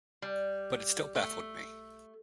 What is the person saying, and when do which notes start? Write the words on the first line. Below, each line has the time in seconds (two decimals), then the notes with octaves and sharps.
But it still baffled me.
0.22 G3
1.15 A3